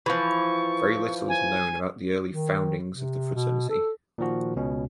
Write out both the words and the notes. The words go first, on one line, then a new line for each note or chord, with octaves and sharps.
Very little is known about the early foundings of the fraternity.
E3 F3 C#6
G#5
D#3
C3
B2
A4
A#2 D#3 F3 F#4
C#2 B2 C#4